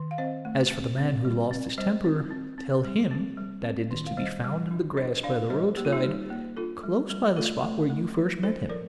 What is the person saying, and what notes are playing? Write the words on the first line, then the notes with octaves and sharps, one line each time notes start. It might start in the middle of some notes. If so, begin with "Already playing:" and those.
As for the man who lost his temper, tell him that it is to be found in the grass by the roadside close by the spot where you first met him.
Already playing: D#3
F5
C4 C5 D#5
A3
C4
C4
G3
C4
G3 C5 D#5
C4
C4
C4
G3
C4
G3
C4
D#3
F5
G3 C5 D#5
G3
D4
D4 C5 D#5
D4 D5 F5
G3 C5 D#5
A#3 G4
F4
D#4 G4
G3
A#3
D4 F4 A4
G3
G3
A3 F4 A4
A3
A3
F3
D4 A4 C5
F3 A#4 D5